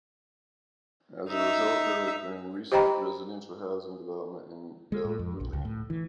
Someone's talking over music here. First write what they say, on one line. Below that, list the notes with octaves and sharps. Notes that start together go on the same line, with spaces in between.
As a result, there has been recent residential housing development in Belgooly.
D#4 E5
G4 C5 D#5 G5 A#5 B5
G#3
A2
F2
A#1
C#2
A2
E3